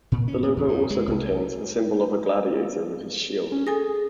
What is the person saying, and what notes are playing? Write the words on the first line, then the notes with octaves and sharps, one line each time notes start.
The logo also contains the symbol of the Gladiator with his shield.
A#2
C#4
A#2
E2
G2
G#3
C2
C#4
G#4 A4 G#5 A#6